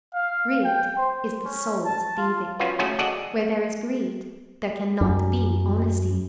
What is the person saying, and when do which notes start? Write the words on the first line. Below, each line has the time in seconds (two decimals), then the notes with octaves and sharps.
Greed is the soul's thieving; where there is greed, there can not be honesty.
0.14 F5
0.64 G5
0.97 C5
1.45 C#4
1.84 A5
2.18 F4
2.60 C#4 F4 F#4 B4
2.79 F#3 A3 C#4 E4 F#4 G#4
2.99 F#4 G#4 A4 D5 D#5 F#5
5.01 F#2